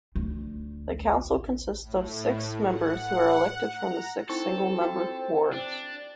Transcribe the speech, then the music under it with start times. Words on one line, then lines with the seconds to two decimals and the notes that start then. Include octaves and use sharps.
The council consists of six members who are elected from the six single-member wards.
0.15 D2
1.82 A2
2.65 F#5
3.74 A#5
4.29 C4 D#4 E4 A4 C#6
4.80 F4 F#4 G5
5.54 D4